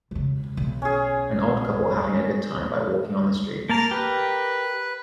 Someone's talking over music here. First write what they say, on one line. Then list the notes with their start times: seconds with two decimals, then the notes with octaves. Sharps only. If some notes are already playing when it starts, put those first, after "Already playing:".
An old couple having a good time by walking on the streets.
0.11 E1 C#3
0.57 B1
0.82 C#4 G#4
3.69 A#3 A5 A#5 F6
3.91 G4 A#4 B4